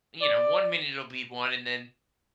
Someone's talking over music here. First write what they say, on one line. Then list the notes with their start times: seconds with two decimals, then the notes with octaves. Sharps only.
you know, one minute it'll be one, and then
0.21 D5